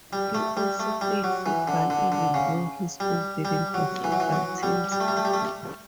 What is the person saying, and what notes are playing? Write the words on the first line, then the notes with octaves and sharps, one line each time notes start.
He also played football, even though his school didn't have football teams.
G3
A3
G3
A3
G3
F#3
E3
D3
D3
D3
C#3
G3
G3
F#3
E3
F#3
E3
F#3
G3
G3
A3
G3
A3
G3
A3